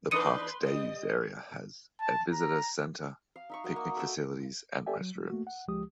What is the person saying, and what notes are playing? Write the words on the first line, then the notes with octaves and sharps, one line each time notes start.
The park's day-use area has a visitor center, picnic facilities, and restrooms.
E3 D4 D#4 B4 C6 D#6 C#7 D#7
G3 D#5
A5
A#5
F5
D#4 E5 C#6
F#4 A#4 D#5 D#6
A#3
A4 E5 G5
G4 A4 D5 E5 G5 G#5
F#3
G3
A3 A#3 F#4
F#5
C#2 F3 G#3 G4 D#6